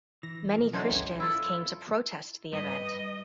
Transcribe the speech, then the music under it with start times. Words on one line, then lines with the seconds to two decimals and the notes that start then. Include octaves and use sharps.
Many Christians came to protest the event.
0.23 E3 A#6
0.54 B2 F3
0.73 D3 E3 F#3 C#4 D#4 C#5 A5 C6
0.89 G#1 C#2 D4 G4 B4 G#6
1.20 E4 F4 A4
2.53 G3 B4 D#5